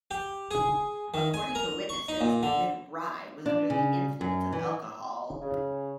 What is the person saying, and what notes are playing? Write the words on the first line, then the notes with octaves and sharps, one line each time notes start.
According to witnesses, McBride was under the influence of alcohol.
G4
G#4
D#3
G#5
A#4
C#6
D#4
A#2
D3
D4
C#3
F#2
E3
C#3